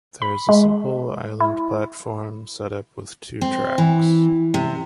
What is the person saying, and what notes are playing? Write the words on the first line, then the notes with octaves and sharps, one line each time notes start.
There is a simple island platform setup with two tracks.
B5
G#3
E4
C4
E3
C3